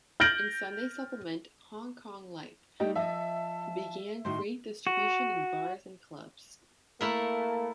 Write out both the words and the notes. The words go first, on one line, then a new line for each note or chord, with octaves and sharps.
Its Sunday supplement, Hong Kong Life, began free distribution in bars and clubs.
F6 G6 A6 A#6 D7 F#7
G3 A3 D#4 F#4 G4
F3 D#5 E5 A5
A2 D#3 F#4 C6
F#4
A3 A#3 E4 A#4